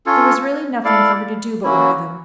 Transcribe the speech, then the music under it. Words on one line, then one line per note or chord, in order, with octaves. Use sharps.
There was really nothing for her to do but wear them.
C#4 F4 A4 C#5
E4 A4 D5 F5
F#3 A#3 C#4 E4